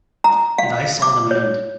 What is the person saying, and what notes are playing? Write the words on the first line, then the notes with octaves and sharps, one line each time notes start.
And I saw them end.
A#5
F5
D6
C#5